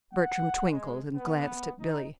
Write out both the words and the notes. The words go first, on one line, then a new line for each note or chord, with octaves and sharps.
Bertram twinkled and glanced at Billy.
F#5
G#3
B3
D#4